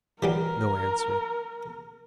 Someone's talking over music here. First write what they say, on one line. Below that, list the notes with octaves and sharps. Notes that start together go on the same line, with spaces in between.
No answer.
E3 F#3 G3 A#4